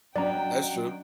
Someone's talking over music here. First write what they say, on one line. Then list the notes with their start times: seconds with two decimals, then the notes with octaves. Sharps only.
That's true.
0.16 F#3 C#4 D4 D5 D#5 G5 A#5